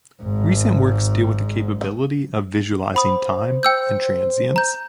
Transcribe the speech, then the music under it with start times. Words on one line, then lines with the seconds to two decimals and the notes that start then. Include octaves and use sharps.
Recent works deal with the capability of visualizing time and transience.
0.22 G#1 G#2
2.95 C5 F#5 B5 D#6
3.63 G5 E6 G6
4.56 A#5 G6